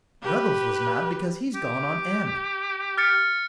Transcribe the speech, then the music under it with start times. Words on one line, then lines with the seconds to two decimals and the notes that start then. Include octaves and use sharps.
Ruggles was mad because he's gone on Em.
0.22 G4 B4
1.55 G4
2.98 F6 A6 C#7